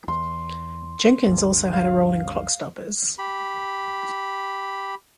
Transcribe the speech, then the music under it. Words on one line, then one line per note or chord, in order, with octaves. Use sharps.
Jenkins also had a role in "Clockstoppers".
E2 C6
G1 D2 G2
F5
G4 B5